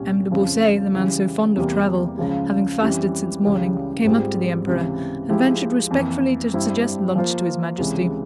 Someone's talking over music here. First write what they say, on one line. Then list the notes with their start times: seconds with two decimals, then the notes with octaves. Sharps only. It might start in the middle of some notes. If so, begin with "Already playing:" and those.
M. de Beausset, the man so fond of travel, having fasted since morning, came up to the Emperor and ventured respectfully to suggest lunch to His Majesty.
Already playing: C2 A#2 G3 C#4
0.31 F2 C#3 F3
0.93 C#3 E3 G3
1.56 E2 C3 E3 G3 A#3
2.18 C#2 C#3 F3 G#3
2.80 F2 E3 G3 C#4 E4
3.43 C#2 C#3 E3 G3
4.04 G#2 G3 C4 F4 G#4
4.67 C#2 C3 E3
5.29 F3 G#3 E4 G4
5.91 F2 E3 A#3
6.54 G2 G3 C4 E4 G4
7.15 F3 A#3 F4 C5
7.78 C#2 C3 E3 G#3